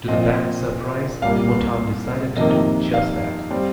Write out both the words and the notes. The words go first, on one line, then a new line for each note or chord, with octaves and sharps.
To the band's surprise, Motown decided to do just that.
A#2 F3 C4 D#5
C2 A#2 G3 A#3 F5
F2 C3 D#3 A#3 D#5
F5
G3 C4